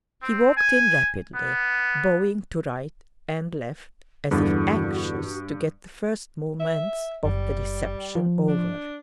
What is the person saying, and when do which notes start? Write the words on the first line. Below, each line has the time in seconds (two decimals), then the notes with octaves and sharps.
He walked in rapidly, bowing to right and left as if anxious to get the first moments of the reception over.
0.22 C4
0.57 G#5
1.34 B3
4.31 E2 G2 D3 F#4 A5
6.60 E5
7.24 F#1 G3
8.15 F3
8.48 D4